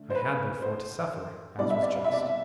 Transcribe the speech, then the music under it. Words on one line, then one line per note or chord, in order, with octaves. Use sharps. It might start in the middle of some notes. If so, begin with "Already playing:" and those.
I had, therefore, to suffer, as was just.
Already playing: D3 A3
C5
B4
C5
C2 B2 G3 B3 D4 D5
E5
D5
F5
E5
D5
E5